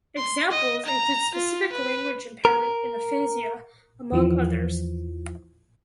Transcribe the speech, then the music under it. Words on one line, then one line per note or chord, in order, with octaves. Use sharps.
Examples include specific language impairment and aphasia, among others.
C6
D#5
A#5
F4
B4
A#4
E2 E3 F3